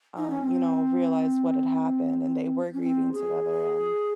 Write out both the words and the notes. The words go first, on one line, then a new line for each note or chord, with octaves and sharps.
um, you know, realized what had happened, and they were grieving together, and,
D#4
C#4
C4
C#4
C4
G#4